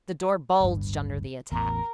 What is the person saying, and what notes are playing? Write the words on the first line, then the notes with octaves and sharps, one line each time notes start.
The door bulged under the attack.
D1 G1 G2
A1 E2 A#4